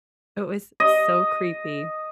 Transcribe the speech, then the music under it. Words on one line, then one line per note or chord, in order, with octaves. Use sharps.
It was so creepy,
D#5